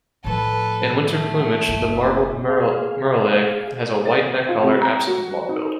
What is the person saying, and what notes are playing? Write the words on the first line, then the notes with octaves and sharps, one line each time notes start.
In winter plumage, the Marbled murrelet has a white neck collar, absent in Long-billed.
A2 F3 A4 B4
A3
F#1 E4
G#4 F5
A6
F4
C3
A#5
F#4
D#4